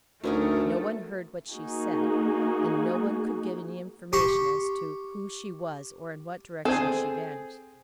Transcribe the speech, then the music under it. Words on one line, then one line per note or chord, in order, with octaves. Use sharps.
No one heard what she said; and no one could give any information as to who she was or in what direction she vanished.
D2 F#3 A3 C#4 D#4 A#4
A#3 D#4 F#4 G#4
G4 G5 C6 C#6
C4 G#4 A4 C5 G#5